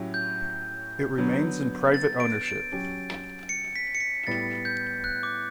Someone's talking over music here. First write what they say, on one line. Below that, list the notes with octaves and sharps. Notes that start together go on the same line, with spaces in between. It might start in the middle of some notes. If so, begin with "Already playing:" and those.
It remains in private ownership.
Already playing: A2 F#3 C#4 E4 G4
G6
D3 F#3 B3
A6
D7
D7
F#3 C#4 G4
C#7
B6
C#7
B6
A2 G3 B3 A6
G6
F#6
D6